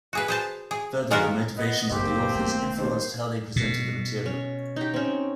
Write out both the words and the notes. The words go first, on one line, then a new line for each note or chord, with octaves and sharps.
Further, the motivations of the authors influenced how they presented the material.
F#4 G#4 B4
G#4 C5 A5
G#4
D#3 G#3 F4 F#4 A#4 B4
B3 D#5
F#1 A#3 C4 G4
G#1 A3 B3
D#2 C5
B2
C#4
D#4 G4
C4 C#4